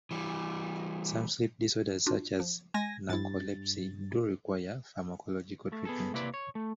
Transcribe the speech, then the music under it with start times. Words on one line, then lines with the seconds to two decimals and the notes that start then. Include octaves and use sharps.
Some sleep disorders such as narcolepsy do require pharmacological treatment.
0.11 E3 G3
2.06 D4 F4 F#4
2.40 F3
2.74 G#3 G#5 A#6
3.09 G2 F3 E4 A6
5.72 A3
5.85 B3 G#4 A4
6.14 C3 A#3 C4 E4 B4 D5
6.34 C#5
6.55 A3